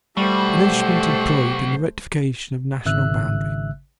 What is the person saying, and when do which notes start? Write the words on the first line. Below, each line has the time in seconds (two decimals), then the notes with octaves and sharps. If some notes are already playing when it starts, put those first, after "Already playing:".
An instrument employed in the rectification of national boundaries.
0.17 B1 G3 A3 F#4 G4 C5
2.86 G#1 C#3 E5 E6 F#6